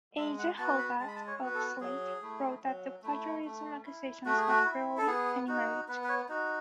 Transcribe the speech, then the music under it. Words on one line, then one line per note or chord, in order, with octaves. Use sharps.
Aja Hoggatt of "Slate" wrote that the plagiarism accusations had "barely" any merit.
G#3 E5
F#5
B3 F#4 A5
B5
G#3 A5
B5
A5
C#5
B3 F#4
B4
A4
F#3 G#4
A3 E4
F#3
A3 E4
A3
E4
A3 F#4
G#4
F#4
E4
A4
B3 G#4
D#4 F#4
B3 B4
B4
C#5
D#4 F#4